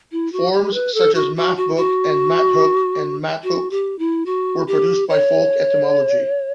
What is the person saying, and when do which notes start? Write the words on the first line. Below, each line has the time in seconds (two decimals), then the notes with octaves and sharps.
Forms such as "mathooke", "motthook" and "mathook" were produced by folk etymology.
0.12 E4
0.32 F#4
0.53 G4
0.74 B4
0.94 A4
1.15 F#4
1.36 F#4
1.57 F#4
1.77 F#4
3.44 F#4
3.71 G4
3.99 E4
4.26 F#4
4.67 G4
5.09 C#5